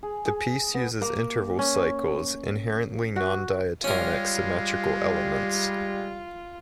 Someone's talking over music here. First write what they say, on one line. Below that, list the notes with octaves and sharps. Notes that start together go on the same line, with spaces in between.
The piece uses interval cycles, inherently non-diatonic symmetrical elements.
G#4
G#4
B3
A#3
C#4
F#4
G3 G#3 C#4 F4 A#4